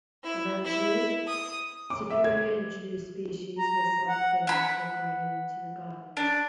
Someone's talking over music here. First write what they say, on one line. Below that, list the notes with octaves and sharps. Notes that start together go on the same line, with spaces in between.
Eventually superior introduced species were selected and incorporated into the gardens.
E4
E4
D#6
D6
E5
G#6
A#5
F#5
F#5 B5
D4